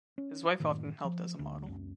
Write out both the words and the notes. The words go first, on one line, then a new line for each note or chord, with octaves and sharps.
His wife often helped as a model.
C#4
F#1 A2 D#3
F3
D2
C#2 F#2